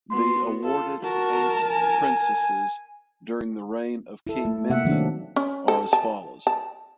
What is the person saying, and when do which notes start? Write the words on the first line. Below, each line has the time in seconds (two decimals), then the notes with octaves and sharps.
The awarded eight princesses during the reign of King Mindon are as follows.
0.11 B3 F#4 C6
0.63 F4 A4
1.03 F#4 A#4 A5
1.70 G#5
4.27 E4 A4
4.45 A3
4.70 C3 A#3 E5 F#5
4.85 D#3 F#3 A#3 C4 D4
5.36 C#4
5.68 A4
5.93 A5
6.47 A5